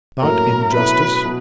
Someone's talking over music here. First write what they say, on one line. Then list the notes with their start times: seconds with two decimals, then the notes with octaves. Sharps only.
'Not in justice?'
0.22 A2 F#3 A#3 C#4 A#4
0.74 B2 F#3 A3 C#4 E4 B4
1.25 B2